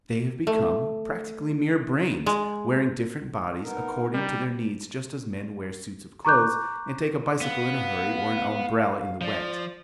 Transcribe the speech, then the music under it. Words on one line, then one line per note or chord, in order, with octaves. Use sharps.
They have become practically mere brains, wearing different bodies according to their needs just as men wear suits of clothes and take a bicycle in a hurry or an umbrella in the wet.
A3
G#3
B3 D#4 A#4
G3 D#4
A#5 C#6 D6 F#6 G6
B3 F5
F3 D5